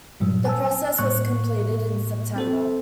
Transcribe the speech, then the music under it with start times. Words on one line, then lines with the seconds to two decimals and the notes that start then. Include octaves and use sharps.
The process was completed in September.
0.20 G2 A#2 F#3 G3
0.45 G#5 A5 E6
0.98 A2 G3 A#3 C#6 F#6
2.36 C4 A4 C5